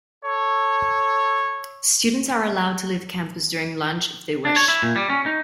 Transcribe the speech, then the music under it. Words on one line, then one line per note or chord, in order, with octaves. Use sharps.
Students are allowed to leave campus during lunch if they wish.
A4 C#5
D4
C#5
E4
A#2
G3
C#4
D#4